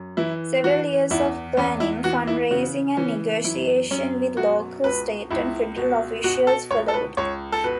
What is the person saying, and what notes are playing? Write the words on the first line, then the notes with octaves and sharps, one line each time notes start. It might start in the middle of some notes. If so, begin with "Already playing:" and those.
Several years of planning, fundraising and negotiation with local, state and federal officials followed.
Already playing: F#2
E3 E4
E3 F#4
E2 E4
E2 C#4
E4
E3 F#4
E4
C#3 F#4
E3 C#4
F#2 E4
F#2 C#4
B2 F#4
C#2 B4
C#2 E4
B2
B2 F#4
A4
C#2 C#5
A4
B4
C#2 C#5
A4
B2 B4